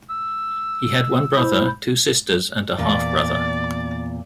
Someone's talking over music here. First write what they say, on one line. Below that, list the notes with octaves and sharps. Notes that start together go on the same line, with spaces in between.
He had one brother, two sisters, and a half brother.
E6
E4 C5
E2 A#2 D5 A6